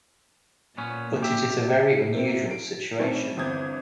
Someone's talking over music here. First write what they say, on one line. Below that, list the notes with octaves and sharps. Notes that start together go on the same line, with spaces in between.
'But it is a very unusual situation.
A#2 B3 C#4
G4 E5
C3 E3 A#3 C4
D7
D#3 E3 G3 A3 C4 C#4
G1 E2 C4 D#6 G6 G#6